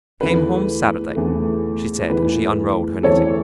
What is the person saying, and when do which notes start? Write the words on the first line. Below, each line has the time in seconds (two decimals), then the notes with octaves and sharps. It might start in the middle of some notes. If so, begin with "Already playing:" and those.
"I came home Saturday," she said, as she unrolled her knitting.
0.21 E2 E3 A3 B4
1.15 E2 E3 A3
2.10 E2 E3 A3 B4
3.03 E2 E3 A3 A4 C#5